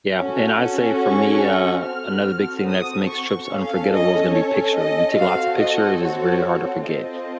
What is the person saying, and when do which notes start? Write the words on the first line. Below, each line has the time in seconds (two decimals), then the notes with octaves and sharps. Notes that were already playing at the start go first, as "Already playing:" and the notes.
Yeah, and I'd say for me, uh, another big thing that's makes trips unforgettable is gonna be picture, you take lots of pictures, it's very hard to forget.
0.17 C#4 F#4 A4
1.01 C#6
1.83 C4 F#4 A4 F6
2.68 D#6
3.09 C#6
3.50 C#4 A4 F5
3.92 D#5
4.33 C#5
4.74 D#5
5.16 C4 F#4 A4 F5
5.58 D#5
6.00 C#5
6.82 C4 F4 A4 D#5